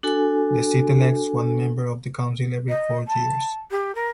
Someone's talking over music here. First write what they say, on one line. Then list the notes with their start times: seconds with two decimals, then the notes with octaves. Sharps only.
The seat elects one member of the council every four years.
0.03 D4 F#4 A4 G#5
2.69 D#5
3.08 A5
3.71 G4
3.95 A#4